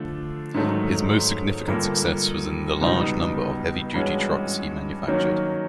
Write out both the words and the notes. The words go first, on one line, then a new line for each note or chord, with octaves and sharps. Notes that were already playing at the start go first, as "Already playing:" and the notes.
His most significant success was in the large number of heavy-duty trucks he manufactured.
Already playing: D3 F3 A3 D4
G#2 D#3 F#3 A3
G2 D3 F3 A#3
C#2 B2 G3 B3 D#4
G2 E3 G#3 C#4 F#4
D#3 F#3 A#3 C#4